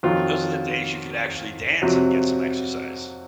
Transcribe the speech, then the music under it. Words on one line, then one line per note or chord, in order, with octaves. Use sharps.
Those are the days you could actually dance and get some exercise.
F2 D#3 F#3 F4
F2 C3 F#3